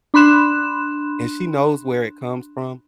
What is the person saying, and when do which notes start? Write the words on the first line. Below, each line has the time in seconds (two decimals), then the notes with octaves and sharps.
and she knows where it comes from,
0.14 D4 B5 C6 F#6 E7